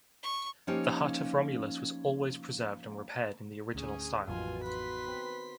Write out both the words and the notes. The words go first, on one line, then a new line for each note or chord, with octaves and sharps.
The hut of Romulus was always preserved and repaired in the original style.
C#6
F3 A#3 C#4 D#4 G4
D2 G#2 C#4 G#4
A1 F2 B2 D#3 F#3 F4 G#5
B4 C6 B6
C4